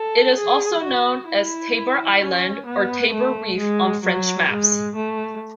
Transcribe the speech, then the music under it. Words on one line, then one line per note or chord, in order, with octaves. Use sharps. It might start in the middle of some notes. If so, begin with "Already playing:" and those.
It is also known as Tabor Island or Tabor Reef on French maps.
Already playing: A4
G#4
F#4
E4
C#4
B3
A3
G#3
F#3
G#3
A3